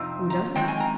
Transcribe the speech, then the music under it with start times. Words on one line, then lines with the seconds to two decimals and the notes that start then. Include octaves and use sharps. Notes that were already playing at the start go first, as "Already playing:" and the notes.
Who doesn't?
Already playing: F2 C3 F3 C4 D#4
0.30 A#5
0.55 D#3 G#3 C4 G5
0.68 G#5
0.80 A#5